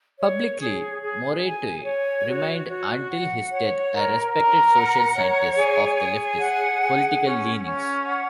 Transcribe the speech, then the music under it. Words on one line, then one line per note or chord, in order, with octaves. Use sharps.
Publicly, Morote remained until his death a respected social scientist of leftist political leanings.
C#5
G#4
G#4
G#5
C#5
F#4
F#4
F#5
C#5
A#4
A#4
F#5
C#5
G#4
G#4
F#5
G#4
C#4
C#4
F#5